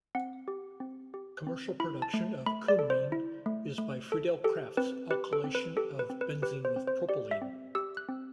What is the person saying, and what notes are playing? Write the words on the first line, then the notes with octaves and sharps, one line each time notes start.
Commercial production of cumene is by Friedel-Crafts alkylation of benzene with propylene.
C4 F#5
G4
C4
G4
C4
E4 B5
A5
A3
A3 B5
D5
A4
C5
E4
A3
A3
A4
G4 A4
C4 B4
G4 B4
A4
C4
B4
G4 A4
B4
C4
B4
G4 B4
C5
C4
C5
G4 D5
E5
C4
G4 E6
F#6
C4